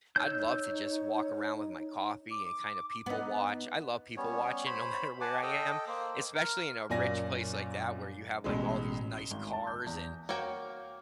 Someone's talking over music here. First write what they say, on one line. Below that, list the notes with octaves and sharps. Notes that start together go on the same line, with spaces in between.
I'd love to just walk around with my coffee and kind of people watch. I love people watching no matter where I am, especially in a rich place like that where you have like all these nice cars and,
D#4 C#5 E6 G6
D6
B3 D#4
G3 B3 C#4 C#5
C5 C#5 B5
F#5 G#5 A5 D6
A4 D#5 G5
A#3 C5
A#4
F#2 A#2 D5 G#5 A#6
A1 B2 G#3
G7
G#1
A5
G6
E2
A#3 F#4 C#5 G5